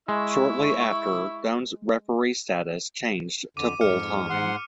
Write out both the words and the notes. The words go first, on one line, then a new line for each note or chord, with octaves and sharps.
Shortly after, Doan's referee status changed to full-time.
G#3 E4 C#6 E6
F2 D3 D6 D#7
F2 G#2 D6 F6 C#7
G#2 F#5 C6